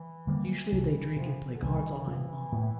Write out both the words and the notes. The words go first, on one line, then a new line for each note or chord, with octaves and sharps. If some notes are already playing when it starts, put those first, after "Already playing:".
Usually they drink and play cards all night long.
Already playing: E3
D3 G3 A#3
C2
C3 F3
D3
C2 E3
C3 F3
A2